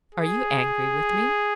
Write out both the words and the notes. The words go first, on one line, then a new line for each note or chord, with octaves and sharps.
Are you angry with me?'
G#4